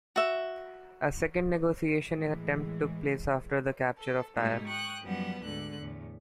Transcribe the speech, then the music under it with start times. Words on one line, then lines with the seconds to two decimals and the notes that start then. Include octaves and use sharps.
A second negotiation attempt took place after the capture of Tyre.
0.16 F#4 E5
2.00 A2 E3 G#3
3.97 A4
4.36 G#2 B2 G3 A3 D#4
4.67 G5 C#6 D#6 F#6
5.02 F#2 F3 G3 B3 F#5
5.43 D2 G#2 D3 F#6
5.79 E2 A2